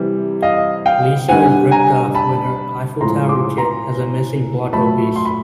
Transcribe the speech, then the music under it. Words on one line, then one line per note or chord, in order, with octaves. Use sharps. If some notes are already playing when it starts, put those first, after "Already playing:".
Lisa is ripped off when her Eiffel Tower kit has a missing Blocko piece.
Already playing: C3 E3 G3
D#5 F5
F5 G5
D3 G3 F#5 G#5
G#5 A#5
A5 B5
A2 F3 G#3 A#5 C6
C6 D6
A#5 C6
A#2 F#3 A3 A5 B5
C6
B5